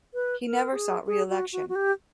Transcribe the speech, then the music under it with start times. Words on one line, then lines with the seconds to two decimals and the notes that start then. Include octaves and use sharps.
He never sought re-election.
0.14 B4
0.46 A#4
0.72 G4
0.75 G#4
1.07 G#4
1.29 F#4
1.53 F#4
1.69 F#4
1.75 G4